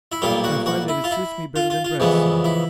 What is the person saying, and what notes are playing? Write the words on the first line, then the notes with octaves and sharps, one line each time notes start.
"I find that it suits me better than bread, sir."
E4
B1 A#2 G3 F4
F#4
F#4
E4
F4
E4
F4
F4
F4
F2 C#3 E3 G#3 B3
E4